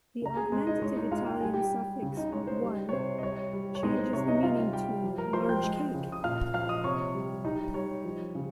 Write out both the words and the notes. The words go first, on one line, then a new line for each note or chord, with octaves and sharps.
The augmentative Italian suffix "-one" changes the meaning to "large cake".
C#3 A#5
G#4 G#5
G#3
D#4 D#5
G#3 C#5
D#4 D#5
G#3 F4 F5
G5
G3 G#5
G4 G5
G3
C#3
D#4 D#5
G#3 C#5
C5
G3
C#5
C3 C5
D#5
G3 C#5
G3
C#5
G#3 D#4 D#5
C5
C3 C#5
D#4 D#5
G3 F4 F5
G3 G4 G5
F3
A#4 A#5
F3 C5 C6
G5 G6
G#3
C#3
D#6
A#2 F5 F6
F3 F5 F6
D#5 D#6
C3 C#5 C#6
G3
G3 D#4 D#5
G3 C#5
F3
C#3